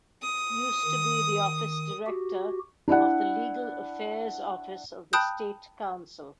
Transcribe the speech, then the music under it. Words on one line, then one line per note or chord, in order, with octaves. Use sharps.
Used to be the office director of the legal affairs office of the state council.
D#6
D#3
F#4 G4
D4 E4 D5 F#5
G5 A5 B5 D#6 F#6 G6